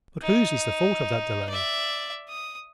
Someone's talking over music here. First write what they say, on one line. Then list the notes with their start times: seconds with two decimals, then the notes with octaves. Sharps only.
But whose is the fault of that delay?
0.23 D#4
1.49 D5 E5
2.29 D#6